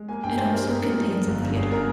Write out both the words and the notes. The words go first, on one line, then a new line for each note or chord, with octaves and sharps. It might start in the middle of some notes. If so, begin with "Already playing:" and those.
It also contains a theatre.
Already playing: G#3
A#3 G#5
G2 G5
A#3 C5
G3 A#4
G2 G#4
G2 A#4
F3
G#3
G1
G2
G1 G#4
A#4